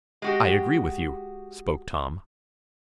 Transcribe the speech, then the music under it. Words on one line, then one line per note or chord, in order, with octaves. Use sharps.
"I agree with you," spoke Tom.
G#3 F#4 G4